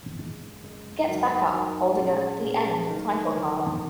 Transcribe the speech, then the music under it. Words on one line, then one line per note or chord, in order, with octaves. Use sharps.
He gets back up, holding a 'The End' title card.
F#2 C#3 G#3
F#2 C#3 G#3
F#2 F#3 D#4 F#4 A#4
F#2 F#3 D#4 F#4 A#4
A#2 G#3 C#4 G#4
A#2 G#3 C#4 G#4
D#2 C#3 F#3 D#4 A#4
D#2 C#3 F#3 D#4 A#4